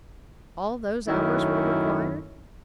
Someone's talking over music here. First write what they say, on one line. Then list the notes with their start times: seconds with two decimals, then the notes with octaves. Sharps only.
"All those hours were required?"
1.08 F#2 D#3 A3 C#4 E4